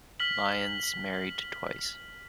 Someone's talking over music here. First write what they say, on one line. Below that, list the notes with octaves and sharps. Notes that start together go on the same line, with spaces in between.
Lyons married twice.
F6 B6 F#7